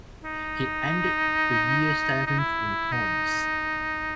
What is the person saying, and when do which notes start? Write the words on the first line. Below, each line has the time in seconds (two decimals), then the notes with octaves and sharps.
He ended the year seventh in points.
0.24 D#4
2.27 D#4
2.38 E4
2.92 D#4